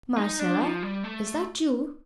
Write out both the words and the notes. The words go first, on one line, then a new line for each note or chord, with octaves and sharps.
"Marcella, is that you?"
D#4
D4
F3
G3
A3